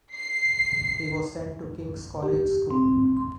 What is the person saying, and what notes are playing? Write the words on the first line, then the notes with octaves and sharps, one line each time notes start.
He was sent to King's College School.
C7
G4
C4
C6